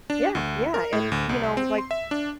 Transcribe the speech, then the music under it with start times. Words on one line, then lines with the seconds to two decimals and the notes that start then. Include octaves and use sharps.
Yeah, yeah, and you know, like,
0.10 D4
0.35 D2
0.74 A#4
0.93 A2
1.12 D2
1.29 C2
1.43 C2
1.57 C4
1.78 C6
1.91 E5
2.11 D4